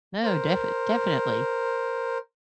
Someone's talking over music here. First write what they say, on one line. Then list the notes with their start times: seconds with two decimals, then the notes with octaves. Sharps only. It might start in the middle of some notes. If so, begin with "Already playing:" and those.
No, def definitely.
0.23 A#4 C5